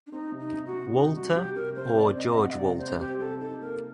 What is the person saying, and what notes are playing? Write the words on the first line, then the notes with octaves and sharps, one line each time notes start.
Walter' or 'George Walter'.
D4
C4 D#4
C3
D#4
C3
F#4
C3
C3 D#4
G3 F#4
C3 G4
C3 A#4
C3 C5
C4 D5
C4 D#5
D#5
C4 F#5
D#5
C3 D5
C4 C5
C4 G4
C3 A4
D#4 A4
A#3 A#4